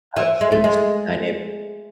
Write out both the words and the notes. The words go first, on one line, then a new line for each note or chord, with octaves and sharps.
uh, changed the dynamic,
E3
G#3
A3
G#3